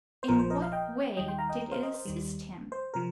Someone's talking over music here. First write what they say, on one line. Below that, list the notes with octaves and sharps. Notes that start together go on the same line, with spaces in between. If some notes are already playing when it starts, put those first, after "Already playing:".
In what way did it assist him?
C5
A#1 A#2 F3 A#4
C5
A#4 D#5
F5
D#5 G5
D#2 D#3 G3 D#5 G5
G5 C6
F5 A#5
D#5 G5
A#4
C5 F5
A#4 D#5
C5
D#2 D#3 G3
C5
C3 F3 A#4